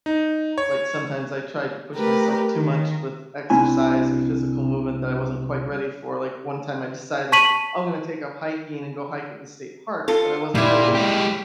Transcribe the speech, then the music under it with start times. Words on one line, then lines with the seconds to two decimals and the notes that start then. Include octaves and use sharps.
like, sometimes I tried to push myself too much with exercise or physical movement that I wasn't quite ready for, like, one time I decided, "Oh, I'm gonna take up hiking and go hike at the state parks," but I wasn't really
0.06 D#4
0.58 C#5
1.96 A3 G4 A#4 B4
2.54 D#3
3.50 C2 C4 D4 E4 G#5
7.32 A5 C#6 B6 D#7 F#7
10.08 F4 A4
10.55 A#2 G3 E4
10.95 G#3 G4